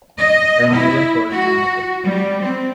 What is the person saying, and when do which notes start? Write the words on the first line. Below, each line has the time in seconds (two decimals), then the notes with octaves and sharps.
And never called me mother!
0.19 D#5
0.72 E4
1.31 F#4
2.04 G3
2.41 C4